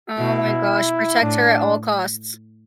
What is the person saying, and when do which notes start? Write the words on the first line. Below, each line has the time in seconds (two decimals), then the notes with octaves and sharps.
Oh my gosh. Protect her at all costs.
0.18 B2 E4
1.22 A2 D4